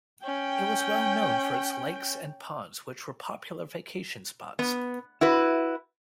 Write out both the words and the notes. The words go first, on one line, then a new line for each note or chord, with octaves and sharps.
It was well known for its lakes and ponds, which were popular vacation spots.
C#4 G5
B3
E4 F#4 B4